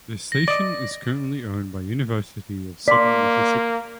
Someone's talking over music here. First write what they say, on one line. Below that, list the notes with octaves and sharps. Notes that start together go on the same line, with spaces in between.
The station is currently owned by University of Southern Mississippi.
A#6
D5 D#5
A#3 D5 C6 B6